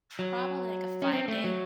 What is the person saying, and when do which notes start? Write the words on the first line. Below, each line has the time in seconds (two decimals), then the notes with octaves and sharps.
Probably, like, a five-day.
0.19 F#3
1.02 C#4
1.13 C4
1.28 A3
1.44 F#3